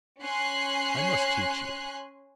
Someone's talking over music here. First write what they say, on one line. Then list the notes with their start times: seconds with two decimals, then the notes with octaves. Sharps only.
I must teach you.
0.21 C#4 G#5 C6 F#6 C7